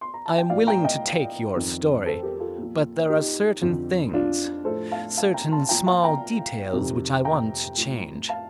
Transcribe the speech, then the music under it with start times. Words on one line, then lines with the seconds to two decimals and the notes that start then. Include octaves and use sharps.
"I am willing to take your story, but there are certain things, certain small details which I want to change."
0.01 C6
0.14 A#5
0.26 A5
0.38 G5
0.50 A2 F3 D5 F5
0.67 G5 A#5
0.84 D#5 G5
1.54 F2 D#3
2.06 A4 C5
2.23 G4 A#4
2.40 F4 A4
2.57 A#2
2.63 F3
3.09 D#4 G4
3.62 F2 D3 F3
4.13 D4 F4
4.65 A2 F3 A4 C5
4.92 F5 A5
5.17 F5 A5
5.34 G5 A#5
5.51 A5 C6
5.69 A#2 F3 G5 A#5
5.86 F5 A5
6.04 G5 A#5
6.73 F2 C3 D#3
7.25 G5 A#5
7.77 A2 F3
8.29 F5 A5